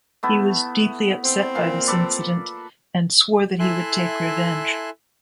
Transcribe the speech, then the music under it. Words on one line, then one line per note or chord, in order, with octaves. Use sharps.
He was deeply upset by this incident and swore that he would take revenge.
A3 B3 E4
C4
A#2 F5
A4 B4 D5
E4 A4 E5 G#5 C6 F#6